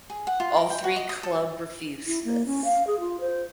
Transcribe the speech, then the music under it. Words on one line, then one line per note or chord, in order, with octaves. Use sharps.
All three club refused this.
G#4
F#5
F4
A#4
G5
F#4
D#5
D#6
A4
E4
A#3
C#4
F5
G#4
F4
C5